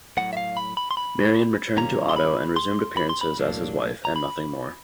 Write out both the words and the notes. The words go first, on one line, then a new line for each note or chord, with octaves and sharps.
Marion returned to Otto and resumed appearances as his wife, and nothing more.
B1 A2 F#3 F#5
E5
F5
B5
B5
C6
B5
G2 D#3 G3 A#3 C#4 A#5
C6
B5
C6
B5
C6
B5
B1 A2 F#3 A#3 D4
A#5
B5